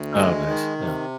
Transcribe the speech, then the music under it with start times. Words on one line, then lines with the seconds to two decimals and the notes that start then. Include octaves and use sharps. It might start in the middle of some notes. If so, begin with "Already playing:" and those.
Oh, nice. Yeah.
Already playing: D2
0.15 G#3
0.46 D#3
0.78 C3